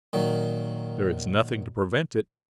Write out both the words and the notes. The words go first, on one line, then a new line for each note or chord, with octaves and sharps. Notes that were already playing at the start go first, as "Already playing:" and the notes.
"There is nothing to prevent it."
A#2 D#3 F#3